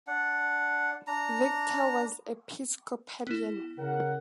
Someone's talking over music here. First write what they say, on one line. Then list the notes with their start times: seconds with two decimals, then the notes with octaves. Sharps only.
Victor was Episcopalian.
0.07 D4 F#5
1.07 D4 A#5
3.27 B3 E4
3.78 C#3 A#4 F#5